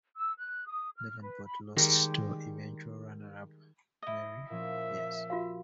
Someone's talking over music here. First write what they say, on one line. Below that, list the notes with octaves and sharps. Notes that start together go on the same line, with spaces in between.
Davenport lost to eventual runner-up Mary Pierce.
E6
F#6
D#6
F6
B4
B5
D#3 G3 G#3 G4
E4 D#5
A#2 F3 C#4 E5
F4 F#4 F5